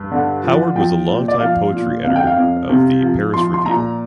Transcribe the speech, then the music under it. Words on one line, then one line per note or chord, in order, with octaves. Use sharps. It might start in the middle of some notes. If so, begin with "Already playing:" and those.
Howard was a long-time poetry editor of "The Paris Review".
Already playing: G2
D3
F3
F3 G5
A#2
D5
F3 F5
A#2
F2 F5
G5
F5
F2
C3
F3
F3 C6
C6
A#2 A#5